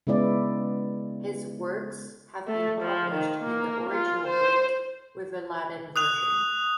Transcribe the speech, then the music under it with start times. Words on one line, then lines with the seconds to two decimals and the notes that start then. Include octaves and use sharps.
His works have been published in the original Greek with a Latin version.
0.07 C#3 G#3 B3 E4 D5
2.47 A3
2.81 F3
3.13 D#3
3.43 A#3
3.90 F4
4.27 C5
5.96 D#6 F#6 F7